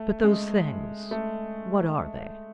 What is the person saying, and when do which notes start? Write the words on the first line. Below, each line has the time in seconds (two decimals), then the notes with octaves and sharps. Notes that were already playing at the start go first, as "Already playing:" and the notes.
"But those things--what are they?"
Already playing: A3
0.24 G#3
1.11 A3